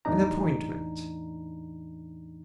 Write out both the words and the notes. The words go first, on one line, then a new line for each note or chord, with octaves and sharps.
"An appointment."
E2 A2 E3 D4 D#4 A#5